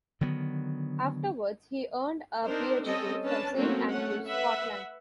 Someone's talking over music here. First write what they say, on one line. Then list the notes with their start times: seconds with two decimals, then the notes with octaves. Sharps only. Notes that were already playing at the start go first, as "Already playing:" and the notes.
Afterwards, he earned a PhD from Saint Andrews, Scotland.
0.21 D3 D#3 F#3 B3
2.44 C4 D4 D#4 A#4 C5
2.86 G3 C4 C#4 A4 D#5
3.24 C#4 D4 B4 A5
3.56 F#3 A3 A#3 C4 C#4 F#4
3.88 A3 C#4 F#5
4.27 B4 E5 F#5